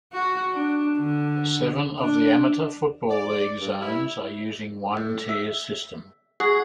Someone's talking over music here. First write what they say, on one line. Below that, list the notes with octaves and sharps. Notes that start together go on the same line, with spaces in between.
Seven of the Amateur Football League zones are using one-tier system.
F#4
D4
D3
D4
D5
G2
E4
A2
E5
F#4 G#4